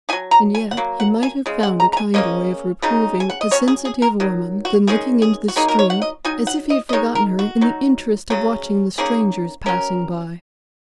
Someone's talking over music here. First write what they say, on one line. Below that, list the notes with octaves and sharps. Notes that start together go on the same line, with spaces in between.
And yet, he might have found a kinder way of reproving a sensitive woman than looking into the street--as if he had forgotten her in the interest of watching the strangers passing by!
D#4 G#5
F#3
A#5
G#5
F#5
F#3 A#3
F#5
G#5
C#3 G#3
F#5
A#5
A#5
G#5
C#3 A#3 C#4 D#5
C#3 F#3 D#4
G#5
F#5
D#5
F#3 C#4 C#5
G#4
G#4
A#4
D#3 F#3
F#4
D#3 G#3 C#4 G#4
G#4
F#4
F#3 A#3 D#4 G#4
A#4
C#5
F#5
D#5
F#3 D#4 G#5
F#5
D#5
D#5
D#3 G#3 D#4 C#5
A#4
F#4
F#3 D#4
C#3 F#3 C#4
D#3 A#3 C#4 G#4
F#3 C#4 A#4